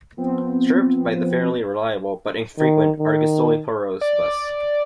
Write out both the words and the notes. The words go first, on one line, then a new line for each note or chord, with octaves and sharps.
Served by the fairly reliable, but infrequent, Argostoli - Poros bus.
F3 B3 C4
D#3
D#3
D5